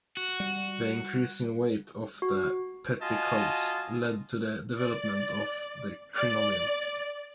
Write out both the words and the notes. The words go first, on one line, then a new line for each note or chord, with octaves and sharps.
The increasing weight of the petticoats led to the development of the crinoline.
F#4
G3
F#4
F4 F#4 D#5 G#5 A5
D5
D5